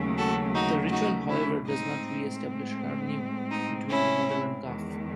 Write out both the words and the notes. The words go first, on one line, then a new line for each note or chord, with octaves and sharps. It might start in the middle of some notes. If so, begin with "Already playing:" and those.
The ritual, however, does not re-establish harmony between the mother and calf.
Already playing: D#2 C#3 F#3 A3 C#4
F#4 A4
D#4 F#4
D#4 F#4
C#4 E4
A2 G#3 C4 D#4
D#4
C#4 E4
E2 D#3 G#3